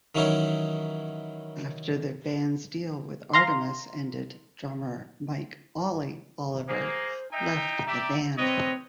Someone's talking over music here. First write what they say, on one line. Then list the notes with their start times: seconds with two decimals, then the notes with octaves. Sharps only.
After the band's deal with Artemis ended, drummer Mike "Ollie" Oliver left the band.
0.15 D#3 E3 F#3 C#4 D#4 E4
3.34 F5 A#5 C6
6.68 A#3 G#4 C5
7.32 D#4 E5 G5 A#5
7.86 G4 D5 E5
8.37 C4 B4 C#5 D#5